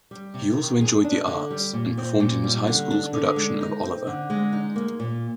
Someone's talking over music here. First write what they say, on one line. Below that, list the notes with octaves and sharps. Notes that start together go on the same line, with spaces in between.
He also enjoyed the arts, and performed in his high school's production of "Oliver!".
G3
C3
D#3
G#4
D4
D3
G3
A#2
C4
A#2
G3
D3
D4
D3
G#3
D#4
C4
D3
G#3
D#4
A#3
A#2